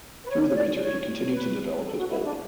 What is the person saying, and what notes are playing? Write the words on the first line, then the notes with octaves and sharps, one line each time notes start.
Through the winter, he continued to develop his bowling.
B4
C#5
C#5
D5
C#5
B4
A4
F#4
E4
D4